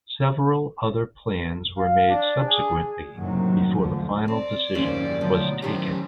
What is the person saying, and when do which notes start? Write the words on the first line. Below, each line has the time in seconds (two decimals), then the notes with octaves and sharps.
Several other plans were made subsequently before the final decision was taken.
1.77 F5
2.10 D4
2.47 G#4
3.14 F#1 F#2 A2 C3 D#3 F#3
3.76 D2 G#2 D3 F3
4.28 C4 D5
4.75 F2 G#2 G3 A#3 C#4 C5
5.21 D2 B2 F3 F#3
5.62 A2 D#3 C#4 G4 C5